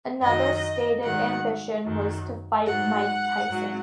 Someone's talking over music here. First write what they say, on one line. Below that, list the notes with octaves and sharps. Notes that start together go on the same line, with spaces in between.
Another stated ambition was to fight Mike Tyson.
F#2 D#3 F#3 D#5
G#2 D#3 F#3 F#5
F#2 D#3 F#3
G#2 F#3 F#5
G#2 F#3